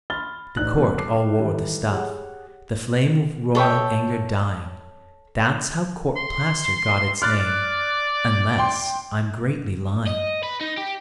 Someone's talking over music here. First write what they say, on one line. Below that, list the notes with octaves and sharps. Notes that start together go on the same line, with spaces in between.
The court all wore the stuff, the flame Of royal anger dying. That's how court-plaster got its name Unless I'm greatly lying.
B5 C6 F6 A6 G7
A1 D#4 D5 F#6 F#7
F#2 B2
A5 D6 C7
D#3 E3 G3 D#4 E4 A4
G4 G#4 C#5 F#5
A4 C#5 E5 G5
C6
D5 F6 F#6 A6
G5 C6
D#5
B4
D#4
G4